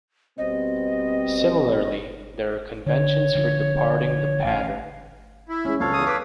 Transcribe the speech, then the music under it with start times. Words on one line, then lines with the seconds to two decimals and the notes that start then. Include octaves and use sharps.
Similarly, there are conventions for departing the pattern.
0.38 B2 G3 C4 D#5
2.86 D3 C#5
3.35 D3 F3
4.45 A1 F5
5.49 E4
5.65 G#3 C#4
5.80 C#2 C3 A4 C#5 F5
5.93 E2 D#6
6.07 B4 D6 D#6